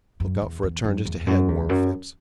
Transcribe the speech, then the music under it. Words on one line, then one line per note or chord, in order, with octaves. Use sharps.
"Look out for a turn just ahead," warned Phipps.
F#2
E2
E2
F#2
E2
F#2
E2
F#2